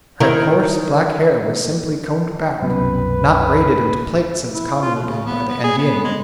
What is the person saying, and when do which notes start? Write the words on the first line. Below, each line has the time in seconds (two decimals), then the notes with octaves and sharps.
Her coarse, black hair was simply combed back, not braided into plaits as commonly done by the Andean women.
0.20 D#3 E4 A#4
2.63 C2 F#2 B2 B4
4.54 E4
4.82 F4
4.95 B2
5.07 C#3
5.25 B3
5.49 B3
5.63 G#4
5.78 B3
6.04 G#3